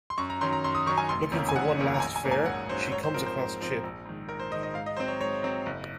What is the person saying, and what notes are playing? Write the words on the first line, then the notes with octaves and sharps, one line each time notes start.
Looking for one last fare, she comes across Chip.
C6
F#2 C#6
A#5
D#3 F#3 C#4 C6
A#5
F#2 C6
D#6
D#3 F#3 C#4 C#6
G#5
F1 C6
F2 D#3 A#3 C#4
G#5
F1 F#5
F2 D#3 A#3 C#4
A#5
A#1 G#5
G#5
G#2 F#3 A#3 C#4
G#5
A#1 F#5
G#2 F#3 A#3 C#4 C5
C5
G#2 C#5
C5
F3 C4 A#4
C5
G#2
F3 C4
A#1
G#2 D#3
A#1 A#4
C5
G#2 D#3 D#5
D#5
G#2 F5
D#5
F#3 C4 C5
C#5
G#2 C#5
F#3 C4
F#1